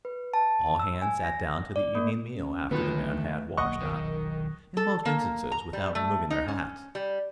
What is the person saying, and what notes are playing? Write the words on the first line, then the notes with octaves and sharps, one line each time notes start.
All hands sat down to the evening meal after the men had washed up, in most instances without removing their hats.
B4
A5
E6
G#5
A#6
D5
A#3
C#4
B1 D3 D#3 A3 B3 F4 B5
E3
D#1 B1 E2 A#3 D#5 F#5 C#6
D#3 A#4
A4
A#3
A#5
G3
A3
D#4
C#4
G3